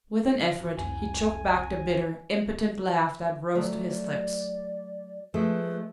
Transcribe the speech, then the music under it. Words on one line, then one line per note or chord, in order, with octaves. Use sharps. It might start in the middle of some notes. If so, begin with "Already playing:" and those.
With an effort, he choked back the bitter, impotent laugh that rose to his lips.
E3 F3 F#4
F1 C2 G#5
D#2
F#3 A3 D5
F3 G#3 A3 B4